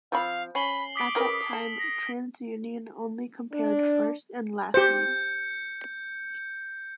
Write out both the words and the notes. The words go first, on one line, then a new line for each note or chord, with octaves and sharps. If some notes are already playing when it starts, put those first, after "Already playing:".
At that time, TransUnion only compared first and last names.
F3 C4 F5 B5
C#4 B5 C7 F#7 G7
D6 D#6 B6 D7
C#3 A#4 B4
A4
A#6
D4
G4 C5 G6 C#7